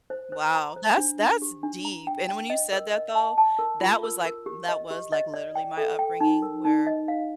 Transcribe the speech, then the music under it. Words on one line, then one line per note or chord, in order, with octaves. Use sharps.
Wow. That's that's deep, and when you said that, though, that was, like that was, like, literally my upbringing where
C5
C5
A#5
C5
D4
D4
G4
D4
A#5
G5
G5
D#5
A#4
D#5
A5
A5
A#4
F4
A#4
A#4
G4
D#5
G4
D#5
D5
G5
A4
G5
D#4
A#4
D#4
D#5
F5